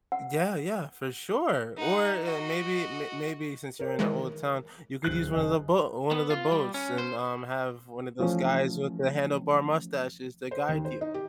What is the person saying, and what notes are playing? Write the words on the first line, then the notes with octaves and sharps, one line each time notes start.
Yeah, yeah, for sure. Or, eh, maybe may maybe since you're in an old town, you could use one of the bo one of the boats and, um, have one of those guys with the handlebar mustaches to guide you.
F#5
D#4 F#5
F#4 D#5
A#4 C#5
D#3 E3 G#3
D1 F#6 C7
F#1 D#5
B3
F4
G3
C#4
C5
E3 F3 A3 C#4
C5
D#2
C5
D#4
G4